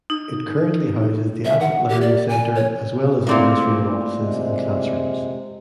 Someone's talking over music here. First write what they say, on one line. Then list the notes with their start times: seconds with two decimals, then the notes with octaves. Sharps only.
It currently houses the Adult Learning Center, as well as administrative offices and classrooms.
0.10 D#4
1.45 E5
1.60 F#5
1.89 G4
2.01 D5
2.29 G#5
2.55 C#5
3.27 A#2 A3 C4 E4 A#4 D5
4.18 C3 G#3